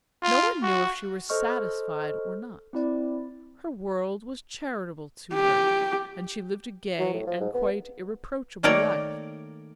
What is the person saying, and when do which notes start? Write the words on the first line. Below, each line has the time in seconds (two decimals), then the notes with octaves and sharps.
No one knew if she were satisfied or not; her world was charitable to her and she lived a gay and quite irreproachable life.
0.22 F4
0.63 F#4
1.29 A4 C5 D#5 C#6 F6
2.73 C4 E4 D5
5.34 G4
6.99 F#3
7.14 A2
7.27 F3
7.40 G#2
7.54 B3
8.63 D#3 A3 A#3 A#4 C#5 D5